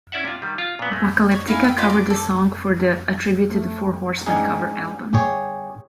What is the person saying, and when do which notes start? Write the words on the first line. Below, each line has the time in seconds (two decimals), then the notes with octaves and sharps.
Apocalyptica covered the song for the "A Tribute to the Four Horsemen" cover album.
0.12 C#4 E4 D5 E5 F#5
0.25 C3 F4
0.42 D#3 G3
0.58 F4
0.79 A#2 B3
0.92 G#3 A3
1.31 C#5 D#5
1.47 D#4 E4 F5 G#5
1.64 E5 G5
1.77 F4 C5 D#5 B5
1.90 D5
2.10 A4
3.49 A3
4.26 A1 G#2 D4 D#4 G#4
5.13 G1 G4 G#4 C#5